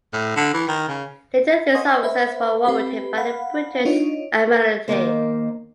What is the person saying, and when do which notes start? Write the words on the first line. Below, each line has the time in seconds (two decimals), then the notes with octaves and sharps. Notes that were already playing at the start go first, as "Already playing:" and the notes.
Later these officers were "warranted" by the British Admiralty.
0.13 A2
0.36 D3
0.54 E3
0.68 D#3
0.89 C#3
1.75 D#5 F#5 G#5 C6 C#6 D#6
2.03 B4 C5 E5 B5
2.65 C4 G4 B4 B5
3.17 F5 F#5 B5
3.85 D4 D#4 F4 C#5 D#5
4.88 D#2 D#3 A#3 C5